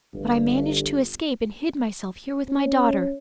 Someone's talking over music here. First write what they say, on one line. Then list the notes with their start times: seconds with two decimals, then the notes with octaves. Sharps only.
But I managed to escape, and hid myself here with my daughter.'
0.13 G1
2.48 C#4